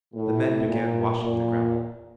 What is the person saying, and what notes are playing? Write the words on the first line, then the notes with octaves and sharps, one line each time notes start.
The men began washing the gravel.
A2
A#2
A#2